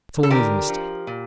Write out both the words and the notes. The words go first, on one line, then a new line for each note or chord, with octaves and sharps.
That's always a mistake.
A4
D3 G4 A#4
F3
A#2